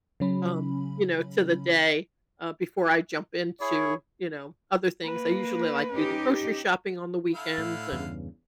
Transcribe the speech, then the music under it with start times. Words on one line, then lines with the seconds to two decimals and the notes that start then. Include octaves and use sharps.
um, you know, to the day, uh, before I jump into, you know, other things. I usually, like, do the grocery shopping on the weekends and,
0.20 C#3 F#3 C#4 B5
3.61 E4 G#4 C#5
5.05 A#3 B4
5.93 C#4 D#4 G4
7.34 D3 E4 F5
7.58 A2
7.92 E2 G2 C#3